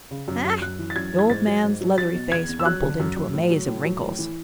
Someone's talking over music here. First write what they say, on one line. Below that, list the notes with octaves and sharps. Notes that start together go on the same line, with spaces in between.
"Ah?" The old man's leathery face rumpled into a maze of wrinkles.
C#3
F#2
F#2
F#2 F#6
E3
A6
F#2 G#6
E3
G#6
G#2 A6
F#3
G#2
F#3
F#3 A6
B2
E2 G#6
E2
E6
F#3 F#6
D3
F#2
F#2
A2
F#3
A2
F#3
A2
E3